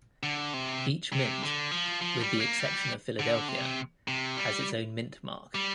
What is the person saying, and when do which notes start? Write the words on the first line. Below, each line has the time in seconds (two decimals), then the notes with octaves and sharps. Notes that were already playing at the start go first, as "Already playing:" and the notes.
Each mint, with the exception of Philadelphia, has its own mint mark.
0.23 D3
0.54 C3
1.13 C3
1.42 D3
1.71 F3
2.01 F3
2.21 G3
2.40 A#3
2.60 G3
3.19 D3
3.48 C3
4.08 C3
4.37 G3
5.55 G3